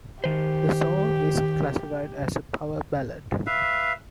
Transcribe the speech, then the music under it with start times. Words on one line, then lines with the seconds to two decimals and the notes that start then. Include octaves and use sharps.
The song is classified as a power ballad.
0.24 D#3 G4 C5
3.47 B4 E5 F5